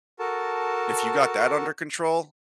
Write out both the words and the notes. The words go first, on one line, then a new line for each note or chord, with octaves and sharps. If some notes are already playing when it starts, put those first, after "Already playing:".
if you got that under control
F#4 A4 A#4 A5